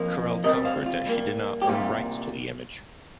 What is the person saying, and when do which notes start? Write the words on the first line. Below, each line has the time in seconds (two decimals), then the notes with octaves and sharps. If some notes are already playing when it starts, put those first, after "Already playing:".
Corel countered that she did not own rights to the image.
Already playing: F2 F3 A#3
0.44 G2 G3 C4 A#4 D#5
0.65 C5 F5
0.86 F4
1.06 G2 G3 A#3
1.62 G4
1.68 C2 A#2 G3 F4